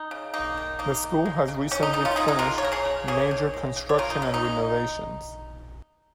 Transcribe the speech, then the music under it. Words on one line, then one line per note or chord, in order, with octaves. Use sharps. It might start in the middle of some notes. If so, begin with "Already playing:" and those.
The school has recently finished major construction and renovations.
Already playing: D#4
C#3
A#3 D#4
D#3
A#3 D#4
C#3
G#3
C#3
D#3 C#4
D#4
D#3 D#4
C#4 F4
G#3 D#4 G#4
D#4 G#4
G#3 F4 A#4
C#5
C#3 A#4
G#4 C#5
C#3
A#3 G#4 C#5
D#3
G#3
C#3
C#5
C#3 F4 A#4
D#4
G#3 C#4
D#4
G#3